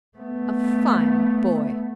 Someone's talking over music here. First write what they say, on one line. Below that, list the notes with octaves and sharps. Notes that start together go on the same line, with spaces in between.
"A fine boy."
A3 B3